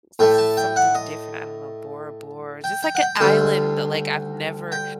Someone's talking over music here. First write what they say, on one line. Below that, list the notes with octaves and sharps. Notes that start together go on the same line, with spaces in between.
s something different. I don't know, Bora Bora. Just like a island that, like, I've never
A2 A3 G5
A5
G5
F#5
D#5
G5
G5
F#5
G5
A5
D2 D3 G3 G5
G5